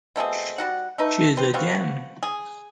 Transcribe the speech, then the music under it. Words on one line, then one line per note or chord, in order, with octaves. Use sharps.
She’s a gem.
B2 A3 C4 G#4
G3 F#4 F#5
A3 D#4 B4
C4 B4 C5
B3 C4 F4 F#4
G#4